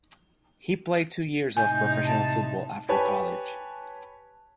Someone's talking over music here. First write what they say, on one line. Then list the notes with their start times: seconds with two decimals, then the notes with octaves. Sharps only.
He played two years of professional football after college.
1.57 A2 C3 D#4 G#5 G6
2.06 A5
2.89 G4 B4 C#5 G#5 A5